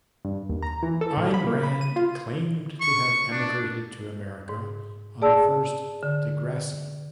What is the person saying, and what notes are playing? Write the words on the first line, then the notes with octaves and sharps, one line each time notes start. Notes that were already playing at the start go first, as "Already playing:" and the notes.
Ayn Rand claimed to have emigrated to America on the first "De Grasse".
G2
D#2
A#5
E3
A4
A2
B5
A#3
B5
D#7
F4
C#6
D4
G#2
G#4 D5 A5 E6
D3